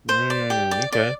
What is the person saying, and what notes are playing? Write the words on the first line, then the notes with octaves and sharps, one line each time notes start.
Mm, okay.
C5
D5
G4
D5
D5